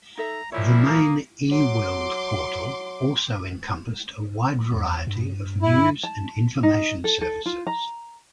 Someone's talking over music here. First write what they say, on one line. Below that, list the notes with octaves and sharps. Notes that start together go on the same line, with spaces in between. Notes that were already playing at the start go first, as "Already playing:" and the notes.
The main eWorld portal also encompassed a wide variety of news and information services.
D#4 A4 E5 A#5
A#2 F3 G3 E4 C#5 E5
A#3 D#6
F#3 C6 D6
E2
G2
E4
A5
D#4
A4
A4
F4
A#5